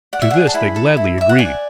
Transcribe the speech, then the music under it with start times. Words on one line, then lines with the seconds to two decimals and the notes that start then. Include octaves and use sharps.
To this they gladly agreed.
0.13 D5 F#5
0.22 E5
0.31 G#4 F#5
0.47 A5
0.54 E4 B5
0.76 A4
0.97 E4
1.18 D5 E5
1.29 F#5
1.39 D5 G#5